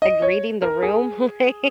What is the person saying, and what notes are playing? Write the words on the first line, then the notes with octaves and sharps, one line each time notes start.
like, reading the room, like,
D#5
C#5
A#4
G#4